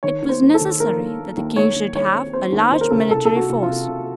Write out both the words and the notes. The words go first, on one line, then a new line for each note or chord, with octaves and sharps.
It was necessary that the King should have a large military force.
D#3 C#5
D#2
C5
D#2
A4
D#3
A#3 A#4
A#3
A#3
D#2
D#2 C#5
D#2
D#2 C#5
C4
C4 C5
D#2
D#2 C5
A#4
C#3 A4
A#4
C2 A4
C2 A4
F#4
C2
F4
C3
C3